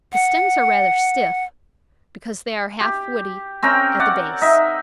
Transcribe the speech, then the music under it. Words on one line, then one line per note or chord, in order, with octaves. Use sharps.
The stems are rather stiff, because they are half woody at the base.
F#5
G4
C4 C#4 A#4 G5
D5 F#5
D#4 E5